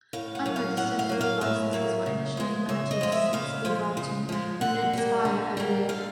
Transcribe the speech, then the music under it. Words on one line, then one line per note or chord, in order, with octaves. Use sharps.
Unregistered free licenses were initially limited to single-speed writing and would expire every year.
A2 F5
F#5
F#3 A#3
F5
A2 F#5
F5
F#3 A#3
F5
A2 E5
F#3 A#3
C#3
F3 G#3
C#3 E5
D#5
F3 G#3
E5
C#3 F5
F3 G#3
C#3
F3 G#3
D3 F#5
G3 A#3
D3
G3 A#3
D3 F5